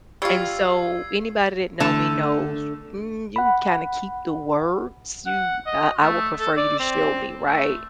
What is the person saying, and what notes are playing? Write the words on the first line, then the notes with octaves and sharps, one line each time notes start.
And so, anybody that know me knows, mm, you can kinda keep the words, you uh, I would prefer you to show me, right,
G3 F4 G4 C#6 E6 G#6 C7
D3 A3 A5
F#5 B5
F#5
D#5
A3
A4
D5
C4
A3